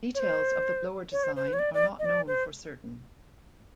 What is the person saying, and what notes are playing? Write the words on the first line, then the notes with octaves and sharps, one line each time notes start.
Details of the blower design are not known for certain.
C#5
C5
C#5
C5
C5
B4
C#5
D5
D5
D#5
D5
C5